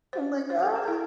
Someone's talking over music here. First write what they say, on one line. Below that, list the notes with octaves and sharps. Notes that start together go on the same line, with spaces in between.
I'm like, "Ah."
C5
C5
A4
G#4
E4